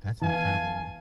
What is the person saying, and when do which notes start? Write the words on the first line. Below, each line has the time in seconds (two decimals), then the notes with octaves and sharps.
That's incredible.
0.22 E3 F5 G#5 A5